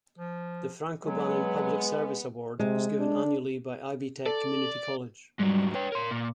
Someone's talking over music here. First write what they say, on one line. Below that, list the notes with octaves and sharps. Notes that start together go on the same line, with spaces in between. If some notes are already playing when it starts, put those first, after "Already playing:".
The Frank O'Bannon Public Service Award is given annually by Ivy Tech Community College.
F3
F#3 G#3 B3
C3 G#3
D4
A4 D5
G#2 F#3 G3
B4 C#5 G5
A#4 C6
A#2 D6